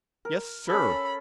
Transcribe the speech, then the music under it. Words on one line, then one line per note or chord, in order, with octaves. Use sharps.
"Yes, sir!"
A#4
C#4 A4 B5